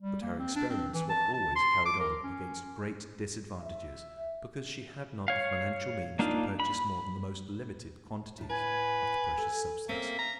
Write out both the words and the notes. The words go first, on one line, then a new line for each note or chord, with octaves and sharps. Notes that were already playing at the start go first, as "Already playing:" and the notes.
But her experiments were always carried on against great disadvantages because she had not the financial means to purchase more than the most limited quantities of the precious substance.
G3
A#3
C4
D4
C4
E3
A5
A5
C6
D6
A#4
C#4
E5
C#5 F5
A#3 D4 D#4 F4
B5
A2 A5
B4 G#5
A4
A3 A#3 C4 C#4 B6
A#5